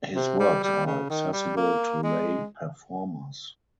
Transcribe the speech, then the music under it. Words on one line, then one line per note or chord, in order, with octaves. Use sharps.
His works are accessible to lay performers.
C3
G3
G3
C#3
D#3
G3
A#3
G#3